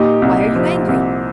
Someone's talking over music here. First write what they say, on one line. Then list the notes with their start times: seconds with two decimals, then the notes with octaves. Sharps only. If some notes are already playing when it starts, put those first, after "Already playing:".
"Why are you angry?"
Already playing: A#2 D#4 G4
0.22 C2
0.56 F3
0.89 C2